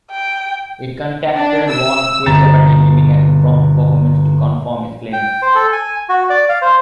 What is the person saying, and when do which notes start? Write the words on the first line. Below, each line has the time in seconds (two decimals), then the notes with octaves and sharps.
He contacted Wernquist, apparently giving an impromptu performance to confirm his claims.
0.11 G5
1.35 D4
1.70 E6
2.26 G1 A#5 A6 E7
5.13 G5
5.42 C5
5.55 A4
5.72 G#5
6.09 F#4
6.30 D5
6.49 F5
6.62 C5